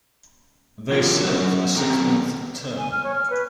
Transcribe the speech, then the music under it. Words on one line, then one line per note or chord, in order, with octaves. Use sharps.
They serve a six-month term.
D3 E3 F#3 F4 G4 A#4
F#3 C#4
F#2 D#3 C4 G4 A4 A#5
G#5
F6
C#5
F6
B4